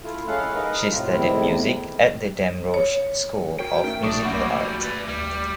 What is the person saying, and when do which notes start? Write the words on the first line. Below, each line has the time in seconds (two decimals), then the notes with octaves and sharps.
She studied music at the Damrosch School of Musical Art.
0.04 A3 E4 F4
0.27 G#3 C#4 E4 A4 F5 F#5
0.55 D#4 A#4 B4
0.90 A2 C3 F4
1.11 E2 A2 C3 D#3 C4 E4
2.74 C#5
3.59 F#4 A#4 C#5 G5
3.84 A3 C#4 D#4 A#4
4.03 B1 D4 C#6 D#6 D7
4.23 G3 A#3 C#4 F#4 F#5 B5 C#6 D6
4.81 B4 D5
5.08 D#2 G3